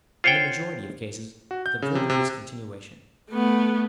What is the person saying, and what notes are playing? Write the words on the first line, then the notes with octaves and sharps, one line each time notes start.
In the majority of cases the verdict is continuation.
F4 C5 C#5 F#5 G5
F#4
G6
C#3
C3
C3
A3 B3